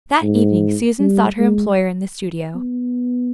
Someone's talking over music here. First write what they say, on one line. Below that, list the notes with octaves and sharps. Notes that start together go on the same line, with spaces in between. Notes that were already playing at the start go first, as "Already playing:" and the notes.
That evening Susan sought her employer in the studio.
G#2
G3
G#3
B3